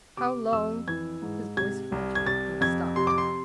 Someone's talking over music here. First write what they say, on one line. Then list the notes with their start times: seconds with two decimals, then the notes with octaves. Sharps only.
"How long--" His voice faltered, and he stopped.
0.17 C3 D6
0.52 F2 E6
0.87 E3 G#6
1.22 G#2
1.57 C3 G#6
1.92 C2
2.15 G#6
2.26 C3 A6
2.61 F2 G#6
2.96 C3 C6
3.07 D6
3.18 C6